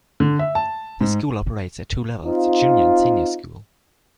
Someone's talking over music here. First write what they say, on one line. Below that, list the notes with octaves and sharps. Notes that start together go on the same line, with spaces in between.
The school operates at two levels: junior and senior school.
D3
E5
A5
G#2
C4 D#4 F4